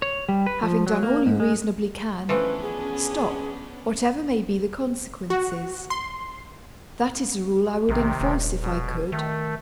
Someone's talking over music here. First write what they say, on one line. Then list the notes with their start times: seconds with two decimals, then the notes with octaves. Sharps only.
Having done all you reasonably can, stop, whatever may be the consequences. That is a rule I would enforce if I could.
0.02 C#5
0.29 G3
0.46 B4
0.63 F3
0.87 F#3
1.03 A#3
1.26 G#2
1.40 G#3
2.29 E3 F3 A3 B3 C#4 D4 B4
2.62 G#4
5.30 F#4
5.90 C6
7.89 A#1 C3 D#3
8.20 D#1
8.62 B2
9.12 D#3 A3